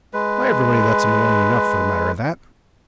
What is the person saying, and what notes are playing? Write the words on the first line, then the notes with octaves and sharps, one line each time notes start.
'Why everybody lets him alone enough, for the matter of that.
G#3 B4